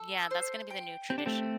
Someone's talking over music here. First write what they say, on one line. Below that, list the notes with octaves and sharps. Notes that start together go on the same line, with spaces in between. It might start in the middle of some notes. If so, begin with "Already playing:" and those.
Yeah, that's gonna be the new tradition.
Already playing: A4
C5
G5
C4 G4
D4
A3 C4